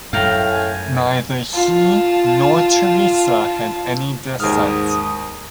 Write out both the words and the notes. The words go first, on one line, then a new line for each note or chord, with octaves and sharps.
Neither he nor Teresa had any descent.
F#2 A2 F5 G5 A#5
G#5
F4 A5
D#2 G#2 D#6 F6